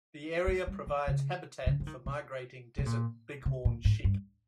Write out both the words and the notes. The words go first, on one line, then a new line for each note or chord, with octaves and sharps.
The area provides habitat for migrating desert bighorn sheep.
G#3
G3
D#3
C#3
C#3
F3
D#3
C3
C3
A#2
C3
A#2
G#2
G2